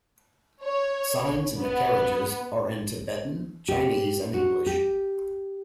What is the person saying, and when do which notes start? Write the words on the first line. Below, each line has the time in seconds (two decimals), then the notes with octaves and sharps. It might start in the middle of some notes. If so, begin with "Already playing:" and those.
Signs in the carriages are in Tibetan, Chinese, and English.
0.63 C#5
1.59 B3
3.68 G4
4.34 F#4
4.66 G4